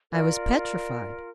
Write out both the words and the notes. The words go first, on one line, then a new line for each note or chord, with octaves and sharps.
I was petrified.
F4 A#4 D5